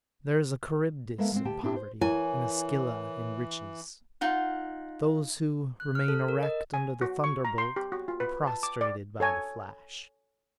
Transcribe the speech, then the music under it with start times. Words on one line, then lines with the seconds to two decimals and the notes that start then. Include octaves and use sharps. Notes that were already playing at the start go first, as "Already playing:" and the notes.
There is a Charybdis in poverty, and a Scylla in riches. Those who remain erect under the thunderbolt are prostrated by the flash.
1.18 G#3 A#3 B3 A4 E5
1.32 G#3 A#3 C4
1.45 D2 G4 G5 A5
1.63 C4 D4 E4 G4
1.76 C5
2.01 E3 E4 A#4 C#5 G#5
4.21 D#4 F4 F#5
5.80 F#6
5.95 F6
6.08 A4
6.28 A#4
6.43 D#5
6.74 G#5
7.01 F#4
7.24 C#6
7.45 A#5
7.58 C6
7.76 G4
7.92 F#4
8.08 F4
8.20 B4
8.47 A5
8.63 D6
8.81 D5
9.20 A4 C#5 G#5